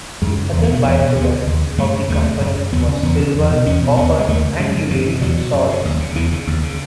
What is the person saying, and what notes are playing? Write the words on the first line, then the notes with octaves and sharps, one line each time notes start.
The other byproduct of the company was silver, copper, and uranium salts.
F#2 G#3
C#3
E2
B3
B2
B3
E2 B3
B2
D#2 B3
C#3
D#2
C#3
F#2 A3
C#3
D#2 A3
C#3
F#2
C#3
D#2 B3
C#3
E2 B3
C#3
E2
B2
E2 C#4
B2
D#2 B3
C#3
G#3
D#2 A3
C#3
F#2 G#3
C#3
F#2 E3
C#3 E3
E2 F#3
B2
F#2
C#3
D#2
C#3
E2 E3
C#3
D#2
C#3